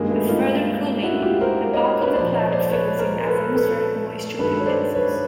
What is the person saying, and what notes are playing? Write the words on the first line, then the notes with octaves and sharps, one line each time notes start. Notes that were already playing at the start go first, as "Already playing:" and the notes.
With further cooling, the bulk of the cloud fills in as atmospheric moisture condenses.
Already playing: G2 D#3 F#3 G#3 A#3
A3 B3
D#4 F4
E4 F#4
F4 G4
A#4 C5
C#5 D#5
B4 C#5
A#2 F3 C5 D5
C#5 D#5
C5 D5
B4 C#5
A#4 C5
A4 B4
A4 B4
G2 D#3 F#3 A4 B4
C#5
C5 D5
B4 C#5